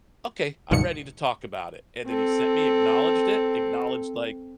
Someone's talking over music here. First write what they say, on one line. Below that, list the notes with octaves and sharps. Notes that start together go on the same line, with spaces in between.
"Okay, I'm ready to talk about it," and then he sent me, acknowledged it, acknowledged like,
C#2 G2 B2 D#3 C#7
C4 A4